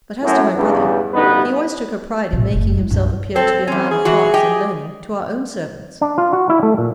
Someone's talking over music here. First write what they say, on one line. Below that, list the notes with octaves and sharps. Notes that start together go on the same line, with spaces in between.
But as to my brother, he always took a pride in making himself appear to be a man of parts and learning to our own servants.
F#2 A2
E2 G2 C#3
A1 D2 G2 B3 D#4 B4
A2 C3
F#1 A3
G#3 E4
C2 G2
C4 A4
E2 C4 C#4
G#4
E3 F#3 F#4
G4 D#5 G5
D4
F4
F#4
E4
A3
A#2